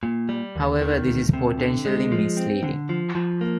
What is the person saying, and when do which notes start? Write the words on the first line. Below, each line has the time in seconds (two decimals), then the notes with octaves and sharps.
However, this is potentially misleading.
0.03 A#2
0.29 G3
0.56 D#2
0.81 D#3
1.07 D2
1.33 C3
1.59 D3
1.85 G#3
2.12 F3
2.37 C4
2.64 D3
2.89 F3
3.15 F3
3.41 A#3